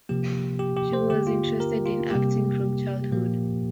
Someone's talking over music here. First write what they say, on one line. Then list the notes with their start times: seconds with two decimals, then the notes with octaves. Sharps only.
She was interested in acting from childhood.
0.09 C3 F3 A#3 G4
0.59 G4
0.77 G4
0.93 C5
1.10 D3 A#3 G4
1.27 F4
1.60 A#4
1.86 F4
2.11 C3 G3 A#3 G4
3.12 A#2 F3 A#3